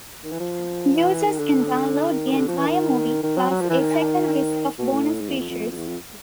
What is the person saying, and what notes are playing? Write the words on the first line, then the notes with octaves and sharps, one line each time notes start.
Users can download the entire movie, plus a second disc of bonus features.
D#3
E3
F3
E3
D#3
D3
D#3
D#3
D3
F3
E3
D#3
D#3
F#3
F#3
F3
E3
D#3
B2
A2
G#2
E2
F2
F2
F2
E2
F2